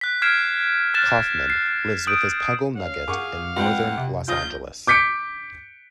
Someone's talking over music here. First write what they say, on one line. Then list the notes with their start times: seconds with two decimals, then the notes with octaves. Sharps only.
Kaufman lives with his puggle Nugget in northern Los Angeles.
0.01 F#6 B6
0.22 F6 G#6 B6 C7 D7 E7
0.94 F6 F#6 A6 E7
1.50 C7
2.07 D#6 G6 D7
2.77 C#4 F5
3.08 F#2 G#4 F#5 C#6 D6
3.57 F2 G#3 B4 F#5 G5
3.98 C3
4.28 A#1 F4 D#6 G6 A#6
4.87 D6 G6 B6 C#7 D7